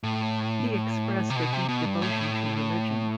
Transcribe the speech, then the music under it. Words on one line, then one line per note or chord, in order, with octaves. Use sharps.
He expressed a deep devotion to religion.
A2
C3
B2
C3
B2
G2
A2